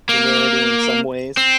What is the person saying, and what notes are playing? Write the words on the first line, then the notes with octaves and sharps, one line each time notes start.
humanity in some ways,
A#3
C4